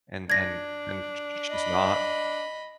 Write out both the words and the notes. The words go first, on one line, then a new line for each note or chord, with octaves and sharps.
and and and sh sh she's not.
D4 G#6 A#6
D#5 B5